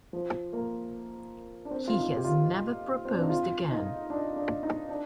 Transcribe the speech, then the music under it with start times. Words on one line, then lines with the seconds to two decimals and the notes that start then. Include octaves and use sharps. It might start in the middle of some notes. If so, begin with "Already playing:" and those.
He has never proposed again.
0.13 F3
0.53 A#3
1.65 D4
1.71 C4
1.88 F4
1.98 D#4
2.16 G4
2.24 F4
3.05 C4
3.13 D4
3.21 D#4
3.30 F4
3.70 D#4
4.10 D4
4.36 D4
4.63 D#4
4.89 D4